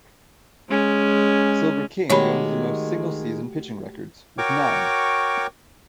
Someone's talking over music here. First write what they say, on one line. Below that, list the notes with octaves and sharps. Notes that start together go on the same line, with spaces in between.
Silver King owns the most single-season pitching records with nine.
G#3 C#4
D#3 G#3 A3 F#4 G4 C#5 B5
F#4 A#4 C#5 G5 C#6 D6